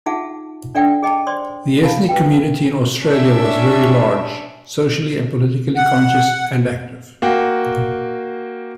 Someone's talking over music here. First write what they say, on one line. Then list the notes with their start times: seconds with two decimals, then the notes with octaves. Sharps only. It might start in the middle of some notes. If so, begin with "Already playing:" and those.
The ethnic community in Australia was very large, socially and politically conscious and active.
0.06 D#4 F4 G#4 E5 F#5 A5
0.75 D4 A4 D5 E5 F#5 G5
1.03 G#4 D#5 G5 A5
1.27 C5 D5 C6 D#6
1.83 F5 G#5 A5 B5 D#6
2.09 B4 G5
3.02 C#4 D4 E5
5.76 F#5
7.22 A#3 F#4 G5